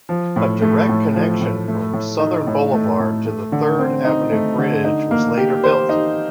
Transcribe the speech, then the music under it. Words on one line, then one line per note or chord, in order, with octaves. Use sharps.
A direct connection from Southern Boulevard to the Third Avenue Bridge was later built.
F3
A2
A3
A2
F3
A2
A3
A2
D#4
A2
A3
A2
A3
D3
C4
D#4
A3
D3
D#4
A#3
G4
C5
D#4